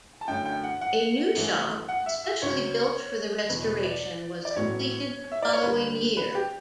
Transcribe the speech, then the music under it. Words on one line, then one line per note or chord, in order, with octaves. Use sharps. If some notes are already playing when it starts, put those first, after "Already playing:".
A new shop, especially built for the restoration, was completed the following year.
A5
F#2 D3 A3 G5
G5
F#5
F#5
F#2 E3 A3
F#5
E5
E5
C#2 C#3 F#3 C#5
F#1 E2 B2 B4
B4
D5
D5
A1 A2 F#3 B3 C#5
E5
D5
C#5
D2 D3 G3 B4
B4
G4